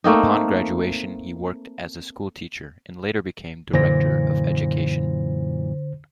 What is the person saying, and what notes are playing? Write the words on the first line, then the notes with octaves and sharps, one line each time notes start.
Upon graduation, he worked as a school teacher and later became Director of Education.
A3 A#3 C4 D#4
F#2 A#2 D3 E3 C5 A#6